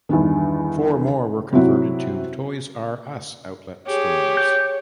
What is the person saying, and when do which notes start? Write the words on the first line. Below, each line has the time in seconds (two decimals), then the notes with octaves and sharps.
Four more were converted to Toys "R" Us outlet stores.
0.09 E2 G2 D3 D#3
1.53 C3 F#3 C4 E4 F#4
3.87 G4 G#4 C#5
4.37 G6